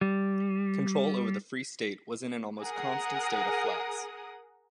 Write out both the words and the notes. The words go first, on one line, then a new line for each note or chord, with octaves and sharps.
Control over the Free State was in an almost constant state of flux.
G3
G#4 A#4 F#5 D#6